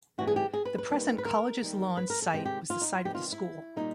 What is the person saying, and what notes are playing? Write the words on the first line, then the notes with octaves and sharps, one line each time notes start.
The present College's Lawns Site was the site of the school.
D2 C#3 E3 G3 F#4
G#4
G4
G#4
B4
B4
D#2 D#3 G3 A#3
B4
A#4
D#2 D#3 G3
B4
A#4
A4
C3 D#3 G#3 G4
G4
F4
D#4
F4
C3 D#3 G3 B3 G4
F4
E4
A#2 G3 A#3 D#4